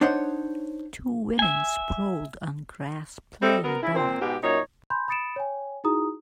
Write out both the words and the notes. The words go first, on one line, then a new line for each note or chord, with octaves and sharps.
Two women sprawled on grass playing ball.
D4 D#4 C5 C#5 F#5
E5 G#5
G3 C4 A4 D#5 E5
F#3 B3 A#4
C#3 E4
A#2 C4
G#2 B2 G4
F#2 A#2 D#4 C#5
G#5 B5 C6 G6
B5 D#6 A6 C#7 D7 E7
C#5 G5 G#5
D#4 E4 F#4 G#4 A#5 D#6